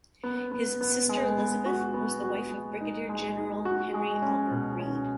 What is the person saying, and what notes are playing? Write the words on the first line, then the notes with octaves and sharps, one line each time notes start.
His sister Elizabeth was the wife of Brigadier General Henry Albert Reed.
B3
B3
B3
G#3
B3
F#4
B3
F#4
G#3
D#4
G#3
D#4
F#4
G#3
C#4
B2
C#4